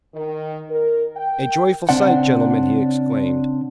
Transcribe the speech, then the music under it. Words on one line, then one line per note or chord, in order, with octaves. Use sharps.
"A joyful sight, gentlemen!" he exclaimed.
D#3
A#4
G5
C#3 C4 D4 F#5